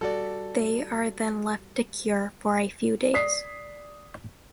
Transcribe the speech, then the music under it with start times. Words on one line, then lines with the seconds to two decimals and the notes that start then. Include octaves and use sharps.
They are then left to cure for a few days.
0.01 G3 F#4 A4 D5
3.14 D5 D#6 B6 C7